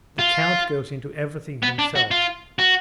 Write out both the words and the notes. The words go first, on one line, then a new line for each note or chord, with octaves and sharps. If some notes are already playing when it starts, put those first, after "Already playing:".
The count goes into everything himself.
F4
B3
D4
F#4
F4
F#4